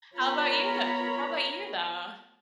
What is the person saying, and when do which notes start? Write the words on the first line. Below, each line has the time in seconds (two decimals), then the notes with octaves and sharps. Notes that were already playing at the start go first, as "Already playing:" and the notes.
how about you though How about you though?
0.17 B3 F4 A#4 C#5 A#5 B5